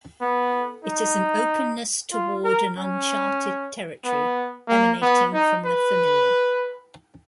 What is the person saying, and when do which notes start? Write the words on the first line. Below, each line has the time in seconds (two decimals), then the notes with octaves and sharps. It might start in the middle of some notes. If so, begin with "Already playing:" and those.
It is an openness toward an uncharted territory emanating from the familiar.
0.21 B3
0.84 D#4
2.12 F4
2.44 A#4
2.77 C#4
4.05 B3
4.69 A#3
5.01 B3
5.33 D#4
5.65 B4